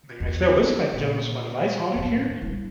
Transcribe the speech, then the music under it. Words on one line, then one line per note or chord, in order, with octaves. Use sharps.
mean, if they'll listen, I can give them some advice on it here.
E2
C3
A#2
D#2 A2
G3 E4